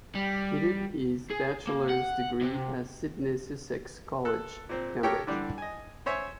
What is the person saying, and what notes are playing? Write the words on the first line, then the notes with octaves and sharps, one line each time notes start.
He did his bachelor's degree at Sidney Sussex College, Cambridge.
G3
G#4
A#3
F#5
C3
A4 F#6
A#2 C4
G4 A4 A#4 C#5 G5
D3 E3 G3 D4
D#5 G#5
C#4 C5 C#5 E5 G#5